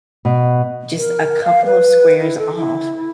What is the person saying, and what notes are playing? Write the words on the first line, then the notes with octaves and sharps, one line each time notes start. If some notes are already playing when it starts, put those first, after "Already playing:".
just a couple of squares off,
B2
A#4
F5
B4
E4
A4
E4